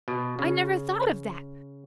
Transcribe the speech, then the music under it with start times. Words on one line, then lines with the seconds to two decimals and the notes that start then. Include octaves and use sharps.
I never thought of that!
0.08 B2
0.39 C#3